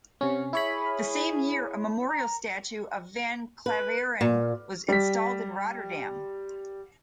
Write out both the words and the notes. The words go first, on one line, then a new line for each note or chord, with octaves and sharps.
The same year a memorial statue of van Klaveren was installed in Rotterdam.
C3 C#4 F#5
E4 G#4 C#5 B5
A#5
B4
A#2
G3 B6